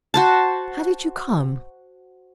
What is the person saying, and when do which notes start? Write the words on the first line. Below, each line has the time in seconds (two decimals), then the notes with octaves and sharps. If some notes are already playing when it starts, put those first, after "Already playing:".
How did you come?
0.14 F#4 C5 A5